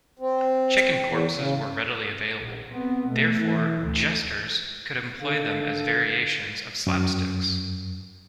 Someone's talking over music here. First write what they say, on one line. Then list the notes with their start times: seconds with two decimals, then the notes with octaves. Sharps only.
Chicken corpses were readily available; therefore jesters could employ them as variations of slapsticks.
0.19 C4
1.03 E2
1.35 C#3
2.39 A#1
2.70 B3 C4
3.09 B2 A3
3.38 E3
3.82 D2
5.21 D3 D#3 A4 F5
6.87 F#2